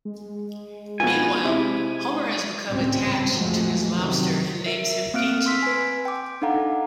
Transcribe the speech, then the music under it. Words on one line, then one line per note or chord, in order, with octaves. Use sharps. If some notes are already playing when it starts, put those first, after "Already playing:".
Meanwhile, Homer has become attached to his lobster and names him Pinchy.
G#3
B2 F3 G#5
C3 E4
G#1 C#2 A2 G3 C4 C#4
F2 A#2 F3 F#3 G#3 A3
C#2 F#2 C3 D#3 F#3
A#4 E5
A#3 C4 F5 F6 F#6 D7
C6 E6 B6
B4 G#5
G5 D6
D4 D#4 A4 F5 F#5 A#5